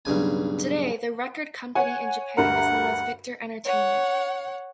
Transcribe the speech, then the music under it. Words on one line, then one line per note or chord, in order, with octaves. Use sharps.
Today the record company in Japan is known as Victor Entertainment.
B1 G2 C#3 G#5
C#5 F#5 G#5
D2 G2 A#4 F#5
C#5 F#5